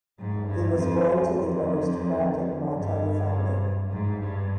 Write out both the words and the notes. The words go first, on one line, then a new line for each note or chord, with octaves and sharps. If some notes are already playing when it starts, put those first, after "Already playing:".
He was born to the aristocratic Martelli family.
G#2
G2
F2
F2
G2
G#2
G2